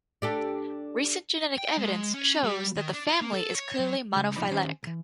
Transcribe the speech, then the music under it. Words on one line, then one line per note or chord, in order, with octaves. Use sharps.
Recent genetic evidence shows that the family is clearly monophyletic.
D4 G4 A4
G5
G#3
C#4
G3
D#3
D4
F4
A#3
A4
C#5
F#3
C#3 G#3
C2 A#2 F3 D#4 D5 B5
D#3 C#4 G4 C5 D5
B1 E3